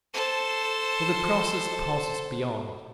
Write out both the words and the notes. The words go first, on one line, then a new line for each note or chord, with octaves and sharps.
For the process passes beyond.
A4 C5